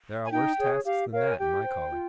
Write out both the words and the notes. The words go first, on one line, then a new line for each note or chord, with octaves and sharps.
There are worse tasks than that, in my calling.'
G#5
D#4 G5
G#4 C#5
G4 F5
A#4 C#5 F5
G#5
G4 G5
C5
F4